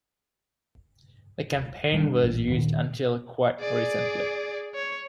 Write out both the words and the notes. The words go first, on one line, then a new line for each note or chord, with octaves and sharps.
The campaign was used until quite recently.
E1 G3 D4
A1
A#2 D#3
G#4 D5
C#5